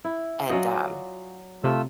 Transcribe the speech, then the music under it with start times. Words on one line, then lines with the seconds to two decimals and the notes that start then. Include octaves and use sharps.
and, um,
0.04 E4
0.50 F#3 C#4 F4 F#4 D5 D#5
1.64 C3 A3 F4 E6